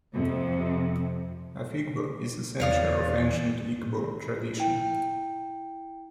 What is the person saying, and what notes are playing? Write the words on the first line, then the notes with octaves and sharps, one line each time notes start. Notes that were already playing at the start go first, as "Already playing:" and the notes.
Afikpo is a centre of ancient Igbo tradition.
F2 C3
E2 C#5 D5 F5 D#6
E4 G5